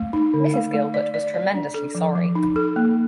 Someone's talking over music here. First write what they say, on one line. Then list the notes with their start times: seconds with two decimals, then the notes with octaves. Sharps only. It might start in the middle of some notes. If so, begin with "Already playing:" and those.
Mrs. Gilbert was tremendously sorry.
Already playing: A3
0.13 D#4
0.34 D3
0.54 A3
0.74 A3
0.94 D5
1.14 D5
1.34 D5
1.54 D4
1.74 A4
1.95 F3
2.15 F3
2.35 D#4
2.56 A4
2.76 A#3